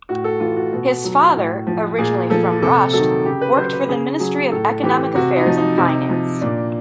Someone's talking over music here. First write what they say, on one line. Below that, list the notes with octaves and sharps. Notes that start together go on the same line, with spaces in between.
His father, originally from Rasht, worked for the Ministry of Economic Affairs and Finance.
A2 F#4
A4
E3 F4
F#4
B2
F#3
A2
F3
A#2 G#4
F3 A4
C3 A4
D#3 F#3 A4
C#3 G4
B4
F#3 C5
B4
C#3 G#4
F#3 G#4
A2 A4
E3 G4
C3 F#4
D#4
F3
D#4
C3
F3
A#2 D4